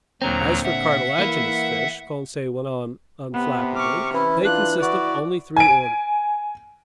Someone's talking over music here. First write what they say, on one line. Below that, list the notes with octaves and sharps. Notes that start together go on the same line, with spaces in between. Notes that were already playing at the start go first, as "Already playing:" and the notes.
"As for cartilaginous fish," Conseil went on unflappably, "they consist of only three orders."
D#2 A#2 D3 F#3 C4 A#5
E5 F#5
E3 A#3 E4
C3 B3
C#6 D6 F6
E3 C#4 E4
D4 F4 F#6
E4 F#4 D5
G#5 D7